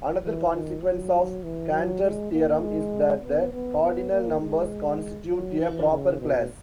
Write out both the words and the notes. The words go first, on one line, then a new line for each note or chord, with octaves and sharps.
Another consequence of Cantor's theorem is that the cardinal numbers constitute a proper class.
E3
D#3
F#3
F#3
E3
F#3
G#3
A#3
G#3
B3
B3
B3
A#3
G#3
F#3
E3
C#3
B2